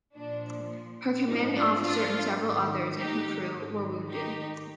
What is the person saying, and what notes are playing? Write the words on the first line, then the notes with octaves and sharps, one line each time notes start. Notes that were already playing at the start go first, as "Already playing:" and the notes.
Her commanding officer and several others in her crew were wounded.
A#2 F3 D4
G#2 F3 D#4 G4
D4 F4
D4 F4
G#2 D#3
D#4 G4
G#2 D#3
D#4 G4